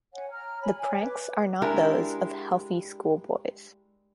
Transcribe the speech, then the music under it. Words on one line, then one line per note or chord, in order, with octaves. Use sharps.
The pranks are not those of healthy schoolboys.
C#5 F#5 G#5
A#5 F6
C#5 G#5 B5
C#5 G#5
B4 D6
G#3 D4 E4 G4 A#4